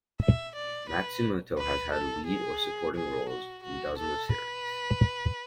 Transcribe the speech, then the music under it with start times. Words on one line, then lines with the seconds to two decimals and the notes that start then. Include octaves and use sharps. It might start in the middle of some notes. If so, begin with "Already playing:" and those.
Matsumoto has had lead or supporting roles in dozens of series.
0.21 E5
0.55 D5
0.89 B4
1.58 B4
1.93 A4
2.27 G#4
2.95 G#4
3.29 F#4
3.64 F#4
3.99 A4
4.33 B4